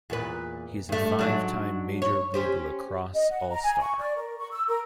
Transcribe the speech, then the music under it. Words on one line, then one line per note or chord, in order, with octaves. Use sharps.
He is a five-time Major League Lacrosse All-Star.
E2 A#2 B4
G2 A3
G#2 F#3 D4
C#5
C#4 G4 C5
D#5
F#5
A#5
G#5
C#6
D5
A#4
C#6
E6
A#4